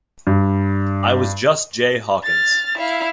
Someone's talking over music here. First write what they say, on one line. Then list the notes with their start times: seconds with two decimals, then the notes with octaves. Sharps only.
I was just Jay Hawkins.
0.27 G2
2.24 F6 A6
2.78 E4 F5